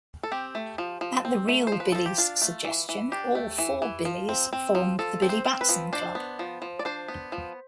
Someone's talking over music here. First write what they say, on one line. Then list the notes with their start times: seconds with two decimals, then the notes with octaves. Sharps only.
At the "real" Billy's suggestion, all four Billys form the Billy Batson Club.
0.23 A4
0.32 C4 G4
0.55 A3
0.78 F3
1.01 F3
1.25 C4
1.49 A3
1.67 C5
1.72 F3
1.80 B4
1.92 F3 A4
2.06 G4
2.18 D4 F4
2.42 A3
2.65 E3
2.89 E3
3.12 D4 G4
3.35 A3
3.58 E3
3.82 E3
4.05 F3
4.29 C4
4.53 C4
4.75 F3
4.99 F3 A4
5.22 C4
5.29 C5
5.45 C4
5.61 B4
5.69 F3
5.93 D4 C5
6.15 B3
6.39 F3
6.62 F3
6.79 D5
6.85 D4 C5
7.08 B3
7.32 F3